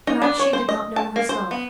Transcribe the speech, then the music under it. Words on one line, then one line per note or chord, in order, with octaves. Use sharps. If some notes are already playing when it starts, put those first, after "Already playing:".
Perhaps she did not know herself.
D#4
D4
C#5
C5
D#5
A5
A#3
C5
B3